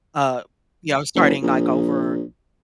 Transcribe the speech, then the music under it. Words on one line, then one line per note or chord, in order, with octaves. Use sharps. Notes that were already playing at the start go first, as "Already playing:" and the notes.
uh, you know, starting, like, over,
F#1
A#1